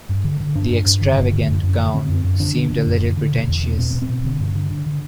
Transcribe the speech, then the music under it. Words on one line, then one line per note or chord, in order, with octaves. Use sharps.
The extravagant gown seemed a little pretentious.
G2
D3
D3
G2 D4
G2
G2
D3
G2
D3
F#2
F#2
D3
D3 C4
F#2
F#2
D3 D4
D3
D3
F#2
D3
D3
B2
E2
B2
B2 C4
B2
C4
B2
D3
G2
D3
D3
D3